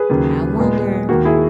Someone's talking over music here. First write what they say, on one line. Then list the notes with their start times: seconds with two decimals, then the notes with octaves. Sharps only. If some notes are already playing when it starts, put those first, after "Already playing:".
I wonder.
Already playing: G#4 B4
0.10 D#2 C#3 F#3
0.59 A#2 G#3 B3
1.09 D#2 D#3 A#3 F#4
1.25 E4 G#4